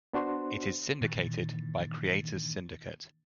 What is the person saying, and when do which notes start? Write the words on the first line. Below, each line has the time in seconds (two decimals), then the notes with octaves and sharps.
It is syndicated by Creators Syndicate.
0.13 B3 D4 F#4 C5 C6
1.01 G2 A#2 D#3 E3